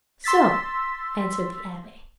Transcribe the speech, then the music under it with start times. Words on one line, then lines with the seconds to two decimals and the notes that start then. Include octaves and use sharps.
"So," answered the abbe.
0.24 C6 E6 A6 B6